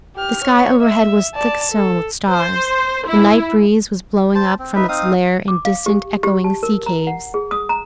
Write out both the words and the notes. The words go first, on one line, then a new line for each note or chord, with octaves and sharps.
The sky overhead was thick-sown with stars; the night breeze was blowing up from its lair in distant, echoing sea caves.
G4 F6
C#5
E5
D5 A5
A4
C5
E4
C5 A5
C4
D#4 B4 E5
C4 D#4 F5 D#6
D6
F5
G4
G4
A5
A#4
A#5
F#5
G#4
D#6
A#5